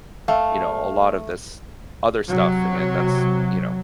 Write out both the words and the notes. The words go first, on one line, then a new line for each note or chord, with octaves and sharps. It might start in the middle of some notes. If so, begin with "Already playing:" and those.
you know, a lotta this other stuff in it that's, you know.
A3 F5
C3 F#3